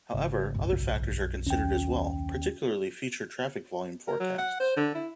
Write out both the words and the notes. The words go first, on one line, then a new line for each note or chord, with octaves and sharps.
However, other factors are considered as well, particularly future traffic volume forecasts.
G#1 C#3
B1 F#2
D#2 C#4 G5
A#4
F#3
F#5
C5
D3
E4